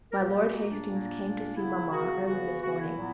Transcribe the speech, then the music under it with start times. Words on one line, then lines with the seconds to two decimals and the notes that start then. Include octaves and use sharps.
My Lord Hastings came to see maman early this morning.
0.12 A#4
0.17 A#2 G3 A#3 G4
0.52 A#2 A#3 F#4
0.70 D4
0.87 A#2 F#3 A#3
1.21 A#2 A#3
1.56 C#3 F#3 B3 E4
1.91 C#3 F#3 B3 F#4
2.26 C#3 E3 B3 F#4
2.62 C#3 E3 B3 F#4
2.79 E4
2.96 A#2 F#3 B3